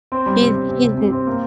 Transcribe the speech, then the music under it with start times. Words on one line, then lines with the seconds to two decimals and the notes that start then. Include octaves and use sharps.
She's she's n
0.12 C4
0.26 G3
0.41 C3
0.56 C3
0.69 C3
0.84 C3
0.97 C3
1.12 C4
1.27 A#3